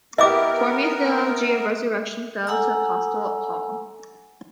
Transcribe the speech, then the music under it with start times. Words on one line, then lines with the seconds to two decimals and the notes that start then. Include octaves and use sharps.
Forming a theology of the resurrection fell to Apostle Paul.
0.18 B3 E4 G4 A#4 D#5 E5 D6
2.47 A4 F#5 G#5 A#5 E6